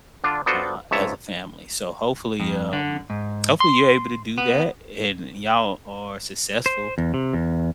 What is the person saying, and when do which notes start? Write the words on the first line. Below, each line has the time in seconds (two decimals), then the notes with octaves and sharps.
uh, as a family, so hopefully, um hopefully you're able to do that, and y'all are successful,
0.24 D3 D4 F4
0.46 B3 D4 F4 F#4 A4 C5
0.91 C#2 G#2 C#5 E5 A5
2.40 F2
2.73 D3
3.10 G#2
3.60 C6
4.38 B3
6.66 C5
6.98 E2
7.14 C3
7.33 E2